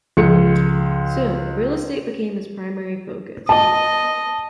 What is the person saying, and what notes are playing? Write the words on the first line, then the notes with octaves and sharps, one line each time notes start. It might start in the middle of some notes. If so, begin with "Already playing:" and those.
Soon, real-estate became his primary focus.
C#2 F3 G#3 C#7
D#5 A5